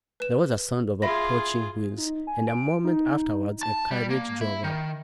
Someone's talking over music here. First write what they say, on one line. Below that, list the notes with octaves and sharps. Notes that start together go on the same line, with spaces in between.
There was a sound of approaching wheels, and a moment afterwards a carriage drove up.
B4 E7
F4 G#4 E5 B5 A#6
D#4
G#5
D7
D#4
A5
G3
A#3
E4
D#3